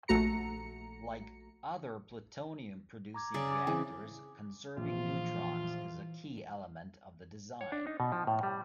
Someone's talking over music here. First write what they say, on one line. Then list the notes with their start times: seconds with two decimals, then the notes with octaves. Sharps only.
Like other plutonium-producing reactors, conserving neutrons is a key element of the design.
0.08 A#1 A3 F#4 A#5 C#7
3.14 A#5 D6 G#6
3.34 C#3 G#4 D5
3.51 D6
3.67 E3 C4 G#4 C5
4.77 A#1 E3 F3 F4
7.61 C#5
7.72 D4
7.87 D#4
8.00 B2
8.12 F3
8.27 A2
8.43 G3